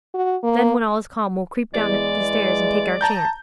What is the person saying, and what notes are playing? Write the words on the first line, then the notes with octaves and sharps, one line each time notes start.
Then, when all is calm, we'll creep down the stairs and take our chance.'
F#4
A#3
E2 G#3 D5
A5 A#5 G6